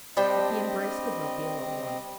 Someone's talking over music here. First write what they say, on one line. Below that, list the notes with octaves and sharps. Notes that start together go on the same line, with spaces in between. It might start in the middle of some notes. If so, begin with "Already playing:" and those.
But the embrace could not be a long one.
G3 C4 D4 C5 D#5 G5